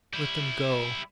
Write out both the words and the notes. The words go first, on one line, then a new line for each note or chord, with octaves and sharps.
Let them go!
G3 E4